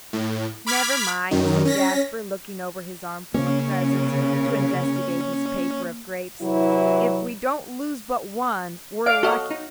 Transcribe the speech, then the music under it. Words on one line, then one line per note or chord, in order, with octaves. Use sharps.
"Never mind," said Jasper, looking over his armful of presents, to investigate his paper of grapes; "if we don't lose but one, we're lucky."
A2
B5 D6 F6 G#6 B6
F#2 D#3
C#4 A#6 B6
C#3 A#3 C#4
C3 E3 F#3 E4 F#4
D5 F5 D7
F#4 A4 D#5
D#4